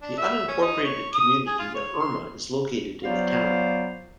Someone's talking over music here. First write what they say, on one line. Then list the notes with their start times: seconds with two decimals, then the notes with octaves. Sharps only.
The unincorporated community of Irma is located in the town.
0.02 D4
0.17 E5
0.48 C#4
0.62 D#4
0.84 C#5
1.14 D#6
1.47 G#4
1.59 F4
1.74 C#5
2.00 C6
3.04 F#3 B3 F4 C5 D5 F5